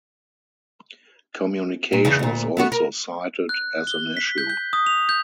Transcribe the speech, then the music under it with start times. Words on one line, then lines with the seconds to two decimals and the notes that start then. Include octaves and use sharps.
Communication was also cited as an issue.
1.93 A#2
2.05 E2 C#3
2.19 D2 A#2
2.57 A3 B3 F#4
2.72 A#4
3.49 F#6
3.87 G7
4.17 B6
4.38 G6
4.50 G6
4.73 D#6
4.87 F7
5.09 G6